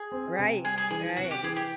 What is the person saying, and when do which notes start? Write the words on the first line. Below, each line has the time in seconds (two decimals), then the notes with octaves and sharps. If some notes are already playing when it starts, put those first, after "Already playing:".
Right, right.
Already playing: G#4
0.12 C4
0.39 C3
0.65 G3 G#4
0.78 G#4
0.91 E3 G#4
1.17 C3 F#4
1.31 G4
1.43 E3 G#4
1.56 G4